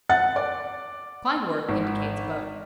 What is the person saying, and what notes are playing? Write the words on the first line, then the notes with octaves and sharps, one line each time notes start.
Klindworth indicates both.
F#5 A6
D5
G#1